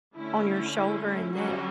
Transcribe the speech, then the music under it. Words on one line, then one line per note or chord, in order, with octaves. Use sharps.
on your shoulder and neck,
D3 A3 C#4 E4
E4
E4
D3 F#3 G3 C#4 F#4